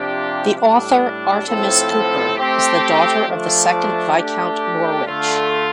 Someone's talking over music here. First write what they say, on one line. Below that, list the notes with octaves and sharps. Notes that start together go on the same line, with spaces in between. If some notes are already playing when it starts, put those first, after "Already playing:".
The author Artemis Cooper is the daughter of the second Viscount Norwich.
Already playing: C3 F3 D4 G4
A2 G3 D4
A2 F3 C4 A4
A3 C4 G4
F3 A3 D4
A3 D4 G4
D3 A3 F4